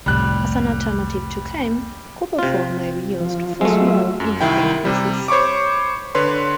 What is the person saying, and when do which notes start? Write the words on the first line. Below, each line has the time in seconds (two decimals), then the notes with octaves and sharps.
As an alternative to came, copper foil may be used, for small, intricate pieces.
0.06 C2 F2 A2 G3 F#6
2.39 C3 F4
3.21 F3
3.61 F#3 G#3 A3 F4 E5
4.20 F#2
4.41 C2 D#3 E4 G5
4.85 C3 G3
5.28 C5 C#5 B5 C#6 D6
6.15 D3 B4 C#5 C6